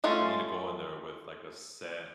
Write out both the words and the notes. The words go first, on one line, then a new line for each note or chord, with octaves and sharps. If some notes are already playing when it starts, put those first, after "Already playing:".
I need to go in there with, like, a set,
G#3 A3 C#4 F4